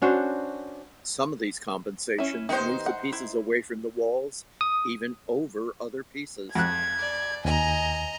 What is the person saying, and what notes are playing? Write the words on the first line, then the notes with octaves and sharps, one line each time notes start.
Some of these compensations move the pieces away from walls even "over" other pieces.
C#4 D4 F#4 C5
C#4 E4
D#3 B3 D#4 G4 C5
F#5
E4
D#6
F2 F#6 G#6
D5
D#2 D#5 G#5 A#5